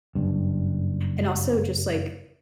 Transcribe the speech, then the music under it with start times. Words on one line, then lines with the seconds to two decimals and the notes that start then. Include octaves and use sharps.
And also just like,
0.15 F#1 G2